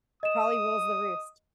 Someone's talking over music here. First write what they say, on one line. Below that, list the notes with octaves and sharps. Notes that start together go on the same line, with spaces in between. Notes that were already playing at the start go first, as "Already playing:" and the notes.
Probably rules the roost.
D#5 D#6 E7